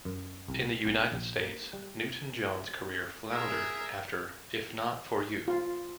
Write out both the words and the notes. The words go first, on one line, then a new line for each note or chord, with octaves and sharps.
In the United States, Newton-John's career floundered after If Not For You.
F#2
C2
B1
A#1
A#3
G3
G#4 A#4 E5
F4